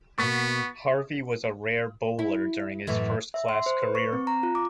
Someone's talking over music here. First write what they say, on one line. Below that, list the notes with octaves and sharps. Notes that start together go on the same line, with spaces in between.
Harvey was a rare bowler during his first-class career.
B2 A#3 B3 C#6 A6 B6
E4
F#2 A2 E3
E5
C6
C5
B4
C#6
C4
A#5
F4
D6